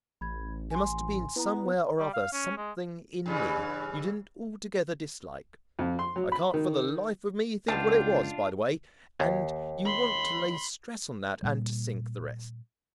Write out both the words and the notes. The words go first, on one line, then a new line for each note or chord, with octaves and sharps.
There must have been somewhere or other something in me you didn't altogether dislike--I can't for the life of me think what it was, by the way; and you want to lay stress on that and to sink the rest.
A1 B5 G#6
G#5 C6
B3 E4 A#5
G3
F5
C#4
G#3
G2 C#3 E3
F2
C6
F#3
B5
D#3
C#2 B2 D4 F4 G5 A5
D#2
B5 C6
A#2 G3